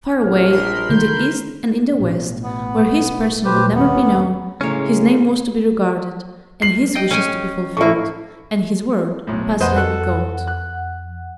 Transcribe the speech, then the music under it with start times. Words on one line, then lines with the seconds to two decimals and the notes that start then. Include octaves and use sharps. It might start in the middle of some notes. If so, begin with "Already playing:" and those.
Far away, in the East and in the West, where his person would never be known, his name was to be regarded, and his wishes to be fulfilled, and his word pass like gold.
0.23 A#1 F6
0.53 A#4 B5 C6
0.90 D3 D#3 A3 G6
1.93 A1 B2
2.44 B3
3.45 A#2 A3 G4 B4 C5
3.75 D#2 A#3 B3 C#4
4.61 A2 C#3 G#3 A#3 C#4 C#5
6.62 C7 F#7
6.95 D#5 G5
7.11 C#4 G5 G#5
7.77 A2 A#3 E4 C#6
9.27 B1 A2
9.60 F2 B4 C5 D#5 F#5
9.76 F#4 A4 F#6
10.47 F#6